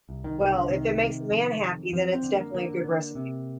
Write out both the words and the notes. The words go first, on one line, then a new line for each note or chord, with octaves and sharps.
Well, if it makes a man happy, then it's definitely a good recipe.
C2
D#3
C2 D#3
D3
C3 D#3
C3
F2
F2
F2 F3
C4
D3
A#3
D3 A#3
D3
C3